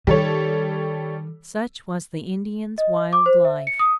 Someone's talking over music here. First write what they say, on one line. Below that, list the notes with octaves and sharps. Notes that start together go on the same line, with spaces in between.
Such was the Indians' wild life!
D#3 G3 A4 C#5
D#5
D6
C5
E5
C#7
D#6